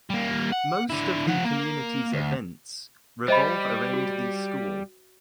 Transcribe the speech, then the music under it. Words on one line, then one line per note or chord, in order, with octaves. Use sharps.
Most of the communities events revolve around the school.
G3 A#3
F#5
D3 E4
F3 F#5
A#3
D2
G3 C5 D#5 B5
F#4